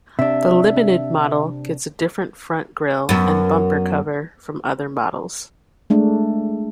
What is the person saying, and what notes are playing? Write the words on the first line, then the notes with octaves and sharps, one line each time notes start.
The Limited model gets a different front grille and bumper cover from other models.
C3 D4 E5
F#2 B3
G#3 A3 D4